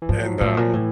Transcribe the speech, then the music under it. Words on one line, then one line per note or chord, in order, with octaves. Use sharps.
and, um,
E3
G#2 F3
F#3
A2 F3
A#2
A2 E3